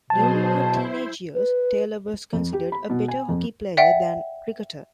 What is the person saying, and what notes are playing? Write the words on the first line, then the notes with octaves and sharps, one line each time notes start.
During her teenage years, Taylor was considered a better hockey player than cricketer.
B2 F#3 G#4 C5 A5
E4 C5
B4
F2
G4
B5
B2
G#5
F2
D5 E5 F#5 G5